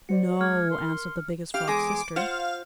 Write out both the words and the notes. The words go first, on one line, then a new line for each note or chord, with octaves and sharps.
"No," answered the Biggest Frog's Sister.
F#4 C5 D5 C#7
G#3 D6 F6 G#6
A#4 C6
G4 F5 F6
E2 G#3 G#4 D6
F4 C5 F5 F#5